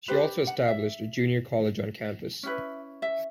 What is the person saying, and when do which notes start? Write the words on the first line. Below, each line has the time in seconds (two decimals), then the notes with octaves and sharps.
She also established a junior college on campus.
0.08 D4 G4 B4 C5
0.47 F#5
0.68 E5
2.43 C#4 E4 G4 B4
3.02 E5